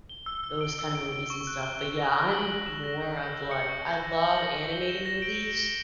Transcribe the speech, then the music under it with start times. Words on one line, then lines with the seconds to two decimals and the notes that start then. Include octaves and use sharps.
those kinda movies and stuff, but, yeah, I'm more of, like I love animated movies,
0.09 G7
0.26 E6
0.44 E6
0.61 D7
0.79 E6
0.95 D7
1.12 D7
1.30 C#6
1.47 F#6
1.63 G7
1.81 G7
1.98 A#6
2.15 A#6
2.32 F#7
2.50 F#6
2.66 E7
2.84 A#6
3.00 G6
3.17 G6
3.34 E6
3.51 C#7
3.69 C#6
3.86 G6
4.03 A#6
4.19 F#7
4.37 A#6
4.54 A#6
4.72 G7
4.89 E7
5.06 A#6
5.22 D7
5.39 G7
5.56 G7